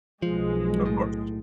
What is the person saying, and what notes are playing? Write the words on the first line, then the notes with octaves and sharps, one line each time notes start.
Of course.
B1 F3 G#3
A2